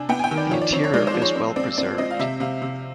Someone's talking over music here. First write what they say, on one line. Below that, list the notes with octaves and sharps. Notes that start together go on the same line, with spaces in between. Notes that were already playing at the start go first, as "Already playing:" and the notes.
The interior is well preserved.
Already playing: C3 D4 G#5
B3 G5
G#5
G5
D#3
D5
F3 C#5
D5
C4 C#5
C#5
G#3 D5
C5
F3
C#5
C4
C4 D5
C4 D5
C4 D#5
F5
C3 E5
C3 F5
C3